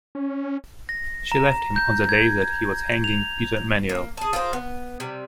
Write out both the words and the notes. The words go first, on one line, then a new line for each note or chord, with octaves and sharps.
She left him on the day that he was hanging Peter Manuel.
C#4
A#6
A#5
G6
G#6
F7
A#3
G#4 A5
F4 G#4 A#4 C5
B3
C3 G3